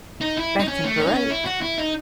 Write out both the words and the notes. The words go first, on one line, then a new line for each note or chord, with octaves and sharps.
Back in Baroque...
D#4
E4
D#4
C#4
A3
C#4
D#4
C#4
E4
F#4
E4
D#4